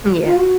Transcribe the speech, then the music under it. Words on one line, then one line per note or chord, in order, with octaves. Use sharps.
Mm, yeah.
F4
F#4